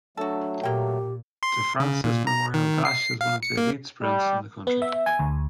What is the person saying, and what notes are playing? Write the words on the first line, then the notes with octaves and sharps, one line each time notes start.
De Francis Memorial Dash is one of the elite sprints in the country.
F#3 A3 D4 F#4 A4
A#2 A#3 G4 G5
C6
C#3
A#2
A#5
D#3
C7
F5
C#7
A#3
G3
B3
E5
G#5
D2